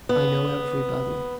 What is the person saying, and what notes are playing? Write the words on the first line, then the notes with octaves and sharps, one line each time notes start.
I know everybody.
B3